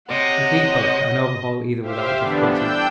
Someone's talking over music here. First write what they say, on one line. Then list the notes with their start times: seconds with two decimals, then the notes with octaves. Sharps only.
We keep up and overhaul either without difficulty.
0.11 C3 C#5 D#5 F#5
1.81 G4 C5 E5 F5
2.17 D3 E3 G3 B3 D4
2.49 D4 G5 E6 G6